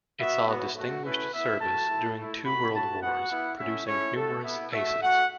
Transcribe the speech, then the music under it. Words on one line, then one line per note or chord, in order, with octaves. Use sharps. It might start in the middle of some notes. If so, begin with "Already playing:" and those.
It saw distinguished service during two world wars, producing numerous "aces".
B3 F#4 E5
B3 F#4
A3 F#4
A3 C#4 E4 B4
B3 E4 E5
A3 F#4 A5
A3 E4
A3 E4
A3 F#4 B5
A3 F#4 A5
B3 F#4 F#5
B3 E4
A3 C#4 E4 E5
A3 C#4 E4 C#5
A3 F#4 A4
B3 E4
A3 F#4 E5
A3 F#4 F#5